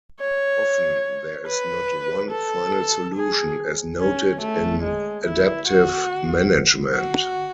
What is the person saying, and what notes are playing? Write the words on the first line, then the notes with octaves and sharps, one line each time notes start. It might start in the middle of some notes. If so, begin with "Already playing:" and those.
Often, there is not one final solution, as noted in adaptive management.
C#5
B4
A4
G#4
C#4
A3
G#3
E4
F#4
F#4